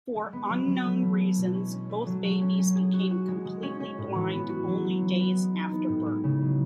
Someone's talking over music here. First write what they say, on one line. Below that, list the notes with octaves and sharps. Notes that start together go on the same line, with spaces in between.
For unknown reasons, both babies became completely blind only days after birth.
G#3
B3
F#3
F#3
A3
E3
G#3
B2
C#4
C#4
A3
F#3
F#4
C#4
C#4
G#4
F#4
F#4
G#3
G#3
C#4
C#4
A2
E3
B3
F#4
F#3
F#4
E3
B3
G#3
D#4
B3
A2
G#3
C#3
F#3